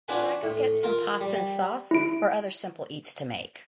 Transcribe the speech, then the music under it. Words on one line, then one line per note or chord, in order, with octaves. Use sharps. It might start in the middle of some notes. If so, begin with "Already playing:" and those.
Should I go get some pasta and sauce, or other simple eats to make?
D4 F4 F#4 B4 G#5
A2
F4 A#4
G3
E4 D7